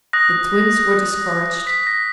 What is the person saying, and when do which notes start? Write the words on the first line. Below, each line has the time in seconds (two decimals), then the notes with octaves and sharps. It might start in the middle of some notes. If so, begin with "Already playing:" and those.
The Twins were discouraged.
0.13 D#6 F#6 A#6
1.67 B6
1.87 A#6